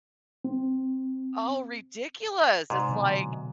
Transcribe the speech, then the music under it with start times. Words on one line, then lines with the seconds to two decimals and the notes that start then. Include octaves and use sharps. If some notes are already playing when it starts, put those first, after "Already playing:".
oh, ridiculous, it's like,
0.44 C4
2.70 G#2 C3 D5
2.89 B2 D3 F#3